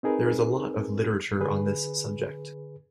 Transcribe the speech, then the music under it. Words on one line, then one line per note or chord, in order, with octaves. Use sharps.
There is a lot of Literature on this subject.
C4 D#4 G#4 A#4 B4
D3 G#4 B4